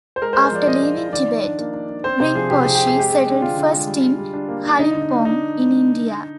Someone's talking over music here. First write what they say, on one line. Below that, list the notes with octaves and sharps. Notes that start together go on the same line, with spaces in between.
After leaving Tibet, Rinpoche settled first in Kalimpong, in India.
C5
G#3 A#4
C5
G#3
C5
F3 D5
F3 D#5
F3
F3
D#3 D5
D#3
D4
A#3
D4
D4
C4 C5
C3 C5
F3 G#4
C3 G4
C3 G#4
G4
C4
G#4
G#3 G4
G#3
D4
D3 F4
D3
G#3
G3
D4
G3
D4
A#3
D4
D3 D#4
D3
D#4
D4
D3 D#4